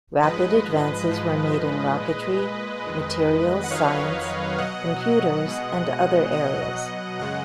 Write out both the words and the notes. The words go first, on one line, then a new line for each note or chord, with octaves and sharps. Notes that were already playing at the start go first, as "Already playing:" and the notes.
Rapid advances were made in rocketry, materials science, computers and other areas.
G#2 F3 G#3 B4 D#5
G#2 F3 G#3
A#2 G#3
F2 D#3 G#3
F#5
F2 D#3 F#3 C#5 F5
B2 F#3 D#5 F#5
B2 G#3
B2 F#3 D#5 F#5
F#2 C#3 G#3 D#5 F#5